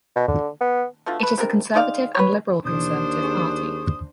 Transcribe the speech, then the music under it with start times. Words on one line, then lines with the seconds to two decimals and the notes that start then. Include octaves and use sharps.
It is a conservative and liberal conservative party.
0.16 B2
0.27 D3
0.61 B3
1.06 B2 D3 A3 F4
1.19 A3 B4
1.38 C3 D4 A#4
1.74 G#3 D#4 D5 F5
2.15 B4 C#5
2.65 D#2 B2 E3 D4 C5 D#6
3.23 G#4 C#6